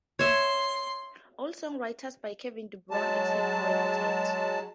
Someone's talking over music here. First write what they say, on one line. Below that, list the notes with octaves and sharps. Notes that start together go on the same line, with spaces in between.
All songs written by Kevin DuBrow, except where noted.
C#5 E5 C6
F#3 G#3 A5